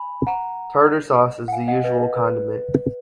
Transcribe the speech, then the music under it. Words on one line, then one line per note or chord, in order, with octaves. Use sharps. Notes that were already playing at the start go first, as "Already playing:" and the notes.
Tartar sauce is the usual condiment.
Already playing: G#5 B5
F#5 A#5
F#5
F5 G#5
D#5 F#5
B4 D#5
B4